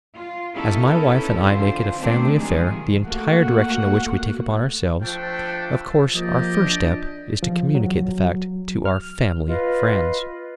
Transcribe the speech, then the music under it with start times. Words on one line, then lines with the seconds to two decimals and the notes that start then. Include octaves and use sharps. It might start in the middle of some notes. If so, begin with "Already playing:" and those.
As my wife and I make it a family affair the entire direction of which we take upon ourselves, of course our first step is to communicate the fact to our family friends.'
0.15 F4
0.54 B3 C#4 D#4 E4 A4
1.46 D3 E3 F4 C5
1.99 D#3 A3 C4 D4 C5
2.37 C3 D#3 F3 G#3 G#4
3.05 A3 A#3 F#4 F#5
5.02 F3 A3 D4 G5
6.14 F3 A#3 G4 D5 D#5
6.60 D4
7.43 F3
7.75 F#3
8.85 F6
9.47 F4 B4 D#5